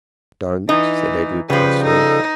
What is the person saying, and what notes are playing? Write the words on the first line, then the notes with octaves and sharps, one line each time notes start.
"Don't!" said Edred crossly.
E3 D#4
C#3 F3 G3 B4
D#4 A4